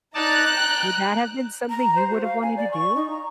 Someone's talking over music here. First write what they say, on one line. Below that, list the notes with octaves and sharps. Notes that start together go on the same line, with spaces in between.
Would that have been something you would have wanted to do?
D#4 D5 A5 A#5 F#6
G5
A#5
C5
F#4
F5
G#5
D5
C#6
D#4
A#5